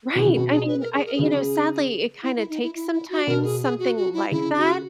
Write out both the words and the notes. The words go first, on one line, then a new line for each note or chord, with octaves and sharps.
Right! I mean, I you know, sadly it kinda takes, sometimes, something like that,
B2 E4
C#3
B2 F#4
G#4
B4
A#4
G#4
A#4
G#4
C#3 F#4
G#4
E4
E4
D#4
E4
E4
E4
F#4
B2 A#4
G#4
G#4
F#4
F#4
E4
C#3 E4
F#4